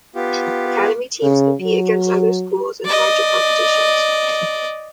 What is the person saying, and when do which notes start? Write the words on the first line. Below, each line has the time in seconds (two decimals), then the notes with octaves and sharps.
Academy teams compete against other schools and in larger competitions.
0.15 B3 F4 G4
1.22 C#3
1.61 F#3
2.85 D5 D#5